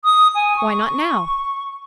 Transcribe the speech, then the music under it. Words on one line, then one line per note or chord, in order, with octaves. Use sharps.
Why not now?
D#6
G#5
C#6